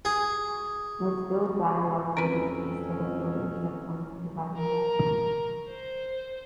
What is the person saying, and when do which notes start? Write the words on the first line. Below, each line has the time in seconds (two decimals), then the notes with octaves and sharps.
Let's build dialogue bridges instead of building checkpoints and dividing walls.
0.05 G#4
2.17 F2 F#3 C4 C#4 A#4 B4
4.57 A#4
5.67 C5